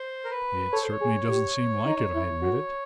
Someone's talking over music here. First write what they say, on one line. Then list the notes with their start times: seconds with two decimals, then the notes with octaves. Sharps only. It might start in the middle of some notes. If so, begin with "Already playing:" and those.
"It certainly doesn't seem like it," I admitted.
Already playing: C5
0.24 A#4
0.30 B4
0.72 A4 C#5
0.82 C5
0.92 C#5
1.01 G#4
1.29 G4
1.86 D#4
2.14 E4
2.42 F#4